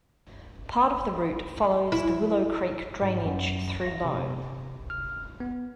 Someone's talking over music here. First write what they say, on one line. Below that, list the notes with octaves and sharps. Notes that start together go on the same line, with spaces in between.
Part of the route follows the Willow Creek drainage through Ione.
E4
G#2
F#2
A#6
C3
F6
B3